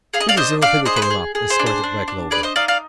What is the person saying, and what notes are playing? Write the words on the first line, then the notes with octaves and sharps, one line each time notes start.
Pretty soon Philly came up, escorted by Clover.
G#4 F5
D#5
D5 F5
D4 C5 D#5
D4 D5 F5
G#4 C5 D#5
B4
C5
G#4
G#4
C5
D4
C5
D4
D4
G#4 B4 D5
C5 D#5
D#4 D5 F5
D5 F5